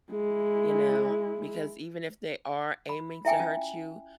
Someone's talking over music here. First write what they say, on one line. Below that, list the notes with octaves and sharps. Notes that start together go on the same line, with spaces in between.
you know, because even if they are aiming to hurt you,
G#3 E4
B5
E4 E5 G5 G#5
C#4 F4